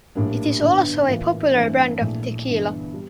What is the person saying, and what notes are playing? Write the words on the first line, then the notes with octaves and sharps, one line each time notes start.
It is also a popular brand of tequila.
A#1 A2 G3 A#3 D4
G1 G2 D3
A2 E3 A#3 F4
G2 E3 A3 C4
A#1 A#2 A3 E4
G1 G2 E3
G3